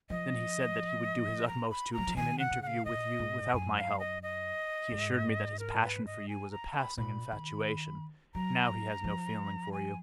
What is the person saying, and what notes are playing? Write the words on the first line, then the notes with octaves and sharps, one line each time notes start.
Then he said that he would do his utmost to obtain an interview with you without my help. He assured me that his passion for you was a passing infatuation, now he has no feeling for you.
F3 D#5
A#5
B5
F#3 A#5
F3
D#3 G#5
F#5
C#3
F#5
F5
A#2 D#5
G#2
F#2 G#5
F#5
F5
D#5
D#5
G#2
A#4
B4
D#5
G#5
A#5
B5
A#2 B5
D#3
F#3 A#5
F3
G#5